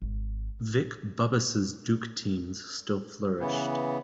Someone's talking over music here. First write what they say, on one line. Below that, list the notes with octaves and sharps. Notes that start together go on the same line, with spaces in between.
Vic Bubas' Duke teams still flourished.
G#1
C#3 E3 B3